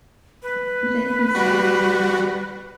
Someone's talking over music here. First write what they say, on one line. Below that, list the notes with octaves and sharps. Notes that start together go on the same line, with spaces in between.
Then he sat up.
B4
G3 F#4